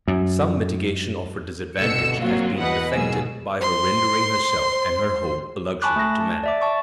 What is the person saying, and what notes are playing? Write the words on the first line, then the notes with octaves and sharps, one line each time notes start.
Some mitigation of her disadvantage has been effected by her rendering herself and her home a luxury to man.
F#2
G1 C2 B2 D3 E6 C#7
F#3 A#3 C4 F4
E2 B2 B4 D#5 F#5
G#2 B2 F#3 A#3 G#4 E6
C5 C6
G#5 A5 B5 C#6 D6 F#6
A3 A#6
A5
D5 E5 D6
A5 C#6 D6